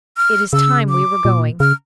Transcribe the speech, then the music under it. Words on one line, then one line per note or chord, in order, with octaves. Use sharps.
"It is time we were going."
F6
C#3 E6
D6
A#2
C#3 F6